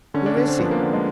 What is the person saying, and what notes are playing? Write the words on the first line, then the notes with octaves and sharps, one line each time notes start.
Who is he?
D3 C#4
D4
D3 D4
C4
F3 B3
A#3
D3
G#3